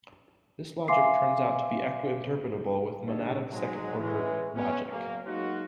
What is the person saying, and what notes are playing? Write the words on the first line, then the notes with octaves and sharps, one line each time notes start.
This logic turns out to be equi-interpretable with monadic second order logic.
E5 F5 G#5 C6 D6 C7
D3 G#3 D#4 G4 A4 C#5
G#2 F#3 G#3
E3 G#3 C#4
B3 C#4
F#1 A#3
F#3 G#3 A#3 D#4 F4 F#4